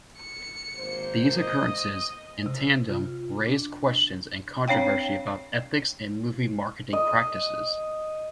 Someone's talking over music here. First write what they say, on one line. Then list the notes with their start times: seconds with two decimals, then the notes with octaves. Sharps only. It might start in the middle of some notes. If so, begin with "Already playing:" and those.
These occurrences, in tandem, raised questions and controversy about ethics in movie marketing practices.
0.19 C#7
0.77 G#1 A#3 C5
1.39 D#5
2.46 C3
2.90 F4
3.46 D4
4.68 C4 D4 C#5 F5 G5
6.93 D#5